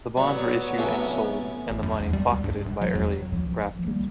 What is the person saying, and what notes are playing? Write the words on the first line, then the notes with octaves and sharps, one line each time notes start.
The bonds were issued and sold and the money pocketed by early grafters.
A2 F#3 G3 B3
C3 A3 C#4
A1
F#2
E2
G3
C#2
G2
F1
F#3
F2
F3
G3 A#3